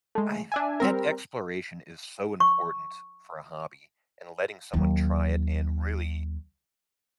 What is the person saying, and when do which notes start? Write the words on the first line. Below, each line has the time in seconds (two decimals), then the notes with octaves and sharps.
I've that exploration is so important for a hobby and letting someone try it and really
0.15 G#3 A3
0.52 D4 E5 G#5
0.80 G3 C4 A#4
2.40 C#6
4.73 D#2 F#3